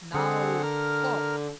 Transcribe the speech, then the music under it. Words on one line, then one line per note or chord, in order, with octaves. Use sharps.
"Now cough."
D3 C4 G#4 F#5
A#4 F6